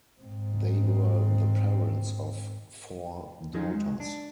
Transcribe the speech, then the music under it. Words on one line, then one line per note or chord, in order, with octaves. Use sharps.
They were the parents of four daughters.
G#2 C4
F3 F#3 C#4 D#4 F4
G#3
D4